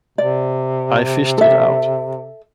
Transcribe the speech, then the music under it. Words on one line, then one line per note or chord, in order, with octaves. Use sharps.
I fished it out.
C3 D5
A4 E5